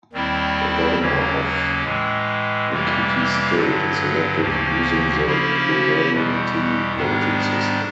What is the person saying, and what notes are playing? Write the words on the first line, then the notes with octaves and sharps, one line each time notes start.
The Governor of Ekiti State is elected using the plurality voting system.
D#2 D#3 G3 C4 E4
D#2 C#3 F#3 A#3 C#4
A2 E3 G#3
F2 C3 E3 G3 A#3
G2 D3 F#3
D2 C#3 F3 A#3
C#3 F3 A#3 C#4 E4
E2 B2 G3
G#2 D#3 G3 B3 D4